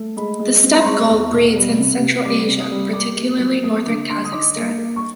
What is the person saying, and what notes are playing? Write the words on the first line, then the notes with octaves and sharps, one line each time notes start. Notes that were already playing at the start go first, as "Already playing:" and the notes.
The steppe gull breeds in Central Asia, particularly northern Kazakhstan.
Already playing: A3
G#3 B5
G#3
C4
B5
C6
G#3 C#6
E2
B2
G3
C3
C3
G3 D6
C3
D#6
G3
A#3 D6
A#3
F#3
A#3 D#6
D3 D6
D3 C6
D#6
D#4 D6
A#3
A#3
C#6